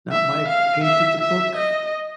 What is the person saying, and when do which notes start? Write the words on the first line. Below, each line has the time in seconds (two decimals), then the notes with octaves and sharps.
not my page of the book.
0.12 E5
0.48 F5
0.84 E5
1.21 E5
1.57 D#5